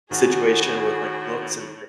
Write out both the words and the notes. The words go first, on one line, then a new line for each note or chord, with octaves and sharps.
situation with, like, books and things,
A2 D#3 F#4 G#4 F#5